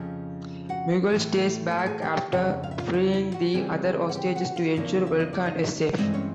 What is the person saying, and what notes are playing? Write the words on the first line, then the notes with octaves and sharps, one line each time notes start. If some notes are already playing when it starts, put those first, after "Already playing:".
Miguel stays back after freeing the other hostages to ensure Vulcan is safe.
Already playing: F2 C#3 F3
F#4 F#5
A2 E3 A3
G#5
A5
G#4 G#5
G4 G5
F2 C#3 F#5
F5
E5
F4 F5
E4 E5
E4 E5
F#4 F#5
C#3 E3 G3 C4 G#4 G#5
F#5
G4 G5
F#4 F#5
F4 F5
E2 C#3 F3 A#3 D#4 D#5
E5
D#5
D5
D#4 D#5
G2 E3 G#3 C4 D#4 D#5
C#4 C#5